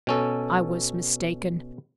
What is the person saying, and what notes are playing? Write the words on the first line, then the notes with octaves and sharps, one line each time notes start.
I was mistaken.
B2 C#4 A4